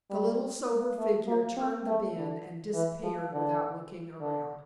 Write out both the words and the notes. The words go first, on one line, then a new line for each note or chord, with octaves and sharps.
The little sober figure turned the bend and disappeared without looking around.
G3
A#3
A3
A#3
C4
A3
D3
E3
F3
D3
D3